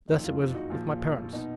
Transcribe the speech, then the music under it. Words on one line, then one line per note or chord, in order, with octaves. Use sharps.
Thus it was with my parents.
F#1 F2 D#3 D#4
F4
F4
D#4 F#4
A#1 A#2 F3 F4
B2 D#4